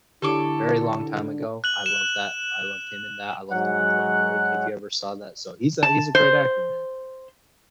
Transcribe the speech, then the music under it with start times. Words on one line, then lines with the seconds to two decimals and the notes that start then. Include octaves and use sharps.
a very long time ago. I love that. I loved him in that. I loved him in Point Break, if you ever saw that, so he's a he's a great actor, man,
0.22 D3 E4 G4 A4 C#5 D6
1.64 F#6 F#7
1.86 E7
3.51 G#2 F#3 F#5 F#6
5.83 A5
6.15 C5